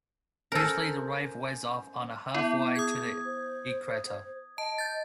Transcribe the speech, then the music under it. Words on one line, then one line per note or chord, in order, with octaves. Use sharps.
Usually the Wave wears off on a half way to the equator.
C#4 A4 A#4 C5
B3 E4
G#4 D#6 G#6
C5
D#5 A5
G6 A6